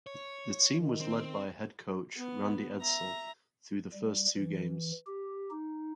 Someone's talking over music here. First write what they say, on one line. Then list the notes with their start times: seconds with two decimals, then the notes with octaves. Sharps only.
The team was led by head coach Randy Edsall through the first two games.
0.06 C#5
0.74 D#3
1.01 C4
2.17 B3
2.81 E5 A#5
3.94 G3
4.37 E3
5.07 G4
5.51 D#4